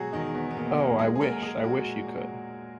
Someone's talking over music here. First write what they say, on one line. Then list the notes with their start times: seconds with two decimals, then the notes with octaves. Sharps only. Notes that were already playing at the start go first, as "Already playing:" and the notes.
Oh, I wish, I wish you could!
Already playing: B2 F#3 G#3 F#4 G#4
0.12 E2 D#3 D#4
0.34 E2 B3
0.51 B3
0.56 B2 A#3
0.78 G#3 A#3
0.99 F#3 G#3 G#4
1.15 G#4
1.20 F#3 A#3 A#4
1.42 F#3 G#3 G#4
1.64 F#3 F#4
1.85 A#2
2.06 A#2